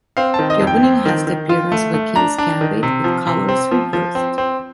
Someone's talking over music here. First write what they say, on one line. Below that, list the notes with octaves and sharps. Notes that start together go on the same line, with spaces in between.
The opening has the appearance of a King's Gambit with colours reversed.
C4 F5
D#3 A5
D#5
F2
G5
C4
D#3
D#3
F4
A3
A3
D4 A#5
D4
D#3
C3
F3
C3
C4
F3
F3
C4
C4